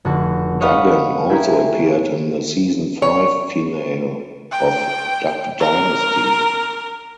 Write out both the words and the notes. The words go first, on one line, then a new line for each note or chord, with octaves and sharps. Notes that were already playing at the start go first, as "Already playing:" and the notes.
Duggan also appeared in the season five finale of "Duck Dynasty".
F1 D3 F#4 A5
C#5 D#5 F5 F#5 B5
E4 G4 G#4 A#4
C#5
G5
A#4